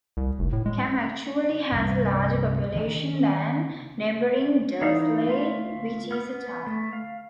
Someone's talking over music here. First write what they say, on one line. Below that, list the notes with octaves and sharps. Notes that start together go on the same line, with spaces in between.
Cam actually has a larger population than neighbouring Dursley, which is a town.
C2
F1
A2
G#3
C2 G2
D#3 D4
E3 D#4 A4 F5
A3 F4
B3 F6
A3
F5